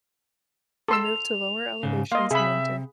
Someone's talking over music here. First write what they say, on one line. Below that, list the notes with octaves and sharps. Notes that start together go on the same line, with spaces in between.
They move to lower elevations in winter.
A4 C6 E6
F7
G#2 C#3
A#3 D#5 F5 C6
C3 G#4 E5 B5